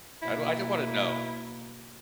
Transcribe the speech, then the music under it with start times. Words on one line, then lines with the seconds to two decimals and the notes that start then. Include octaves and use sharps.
I don't I don't wanna know.
0.22 B2 A#3 E4